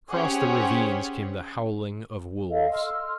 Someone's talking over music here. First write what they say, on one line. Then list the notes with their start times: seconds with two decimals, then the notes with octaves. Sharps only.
Across the ravines came the howling of wolves.
0.14 C#4 G4 G#4 C5 C#5 F#5
2.51 A4 D#5 F5
2.72 C6 E6 F6